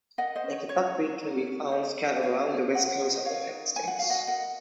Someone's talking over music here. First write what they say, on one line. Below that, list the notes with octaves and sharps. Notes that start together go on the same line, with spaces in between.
Naked buckwheat can be found scattered around the west coast of the United States.
A#4 D#5 F#5
C5 D#5
C#4
C#5
C#4 C#5
F4
A#4 C#5
C#4
C#4 C5 D#5
F#4
F4 C#5 F5
G#4
F4 D#5 F#5
G#4
D#5
A#4 C#5 F5
D#4
D#4 G#5
F#5
F#4 F5
D#5 F#5
A#4 D#5 F#5